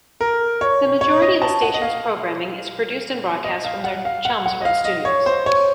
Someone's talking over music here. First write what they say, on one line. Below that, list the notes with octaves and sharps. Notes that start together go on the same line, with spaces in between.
The majority of the station's programming is produced and broadcast from their Chelmsford studios.
A#4
C#5
C#5
D#5
A5
F#5
D#5
F5
D#5
F5
F#5
F5
F#5
F#5
D#5
F5
D#5
C#5
C5
C#5